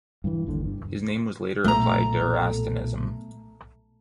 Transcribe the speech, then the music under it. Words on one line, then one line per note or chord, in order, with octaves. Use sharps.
His name was later applied to Erastianism.
G2 D#3 E3
G1 D#2 D3
G2
B1 A#2 A3 A#3 A#5